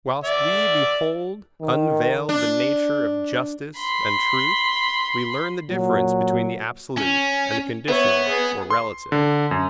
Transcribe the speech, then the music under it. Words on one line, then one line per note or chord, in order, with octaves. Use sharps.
Whilst we behold unveiled the nature of Justice and Truth, we learn the difference between the absolute and the conditional or relative.
D5 E5
D#3
D4
B5 C6
A#2 F#3
C#4
B3 C#5 E5
G#4 B4
C6
D3
F#2